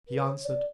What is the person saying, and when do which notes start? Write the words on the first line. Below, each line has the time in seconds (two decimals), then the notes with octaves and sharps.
He answered.
0.08 B4
0.28 C#5
0.45 D5